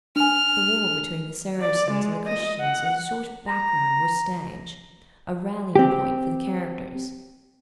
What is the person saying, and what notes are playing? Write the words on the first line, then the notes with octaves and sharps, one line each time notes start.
The war between the Saracens and the Christians is a sort of background or stage; a rallying point for the characters.
D4 G#5 F6
D5
G#3
D#5
F#5
A#5
C4 G4